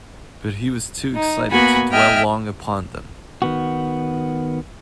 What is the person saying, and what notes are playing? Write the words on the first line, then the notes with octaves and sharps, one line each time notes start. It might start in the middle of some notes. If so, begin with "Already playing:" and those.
But he was too excited to dwell long upon them.
D#4
A#3 B3 F#4 G#5 B5
D#5 E5 G5 G#5 F6
D#3 B3 F#4